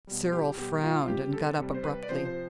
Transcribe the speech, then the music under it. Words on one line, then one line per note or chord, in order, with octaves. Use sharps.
Cyril frowned, and got up abruptly.
B2 G3
F4
G4
B2 G3 G4
F4
F4
C3 G3 G4
A4
C3 G3
C5
B4
D5
C3 F3 C5
C5